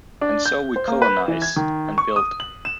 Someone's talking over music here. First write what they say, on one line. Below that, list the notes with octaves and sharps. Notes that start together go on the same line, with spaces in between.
And so we colonize, and build.
D4
G6
C5
A#3
B4
E3
G#6
D#3
C#6
D#6
F#7
E7